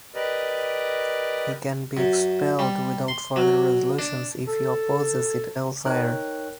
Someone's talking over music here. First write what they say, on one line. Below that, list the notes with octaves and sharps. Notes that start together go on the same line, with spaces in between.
He can be expelled without further resolutions if he opposes it elsewhere.
G4 A#4 B4 D5 D#5
F#2
G3
C6
F#3
D4
A4
D#4 A#4 C#5 G5 F#6